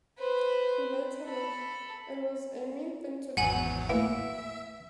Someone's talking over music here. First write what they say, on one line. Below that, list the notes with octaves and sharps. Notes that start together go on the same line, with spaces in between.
He later wrote: It was a mean thing to do.
B4 C5
A4 B5
G#1 E2 F#3 F#5 G#5 F#7
A2 A#3 B3 E5